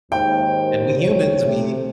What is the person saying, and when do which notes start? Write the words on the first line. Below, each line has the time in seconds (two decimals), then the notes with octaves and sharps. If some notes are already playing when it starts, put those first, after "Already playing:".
And we humans, we
0.12 D#2 G#2 C5 G5
0.98 C#5
1.42 C3 A3